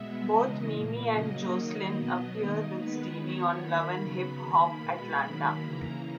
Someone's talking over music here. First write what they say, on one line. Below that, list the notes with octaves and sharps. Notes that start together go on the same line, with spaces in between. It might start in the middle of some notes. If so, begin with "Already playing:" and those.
Both Mimi and Joseline appear with Stevie on "Love and Hip Hop: Atlanta".
Already playing: B2 G#3 B3 E5
C#3 E3 G#3 D#5
A#2 A#3
C#3 F#3 A#3 D#5
D#3 F#3 A#3
B2 F#3 B3
D#3 A#3 D#5
D#3 G#3 B3 B4
D#3 F#3 B3 C#5
D#3 A#3 B5
C#3 F#3 B3
D#3 A#3
B2 G#3 B3 B5
D#3 F#3 A#3 B5
C#3 E3 A#3 A#5